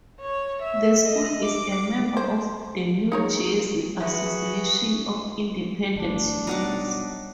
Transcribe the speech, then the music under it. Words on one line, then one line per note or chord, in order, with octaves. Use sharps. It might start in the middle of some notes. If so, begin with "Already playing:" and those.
The school is a member of the New Jersey Association of Independent Schools.
C#5
E5
D#5
D6
C5
D#4 G#4 A#4 C#5
F#4 G#4 B4 E5
G1 F#2 A3 D4
B2 G3 D#4 C#5 F#5 D6